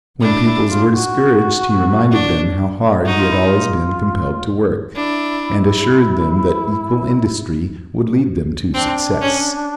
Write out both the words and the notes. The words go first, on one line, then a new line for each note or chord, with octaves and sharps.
When pupils were discouraged he reminded them how hard he had always been compelled to work, and assured them that equal industry would lead them to success.
D4 E4
E4
F4
F#4
D4
D#4 F#4
F4
E4
F4
D4 E4
C4 D4
C#4